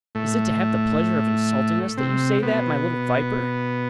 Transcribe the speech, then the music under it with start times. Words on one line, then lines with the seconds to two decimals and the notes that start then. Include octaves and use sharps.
"Is it to have the pleasure of insulting us that you say that, my little viper?"
0.15 A2 A3
1.97 C3 C4
2.43 B2 B3